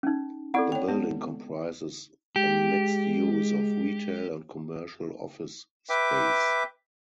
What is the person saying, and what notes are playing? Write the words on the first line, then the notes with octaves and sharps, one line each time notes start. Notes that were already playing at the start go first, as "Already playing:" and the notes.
The building comprises a mixed use of retail and commercial office space.
C#4 D#4
C4 E4 A4 D5 F#5
C#5 G5
G#3 B3
G#3 G4
B4 E5 G5 D6